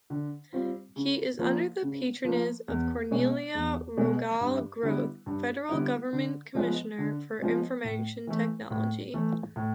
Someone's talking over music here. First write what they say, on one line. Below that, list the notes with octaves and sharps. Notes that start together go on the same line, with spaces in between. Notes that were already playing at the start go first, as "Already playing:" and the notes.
He is under the patronage of Cornelia Rogall-Grothe, Federal Government Commissioner for Information Technology.
D3
G3 C4 F4
C#3
F3 A#3
C#3
F3 A#3
E2
B2 G#3 B3
E2
B2 G#3 B3
G2
D3 G3 B3 E4
G2
D3 G3 B3 E4
D3
F3 G#3 B3
D3
F3 G#3 B3
A2
E3 A3
A2
E3 A3
A2